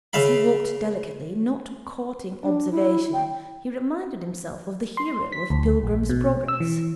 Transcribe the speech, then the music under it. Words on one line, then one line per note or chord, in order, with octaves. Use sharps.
As he walked delicately, not courting observation, he reminded himself of the hero of 'Pilgrim's Progress'.
C#3 E5 F5 B5
D4
E4
G5
C6
B6
D2
A#1
B2
E6
E3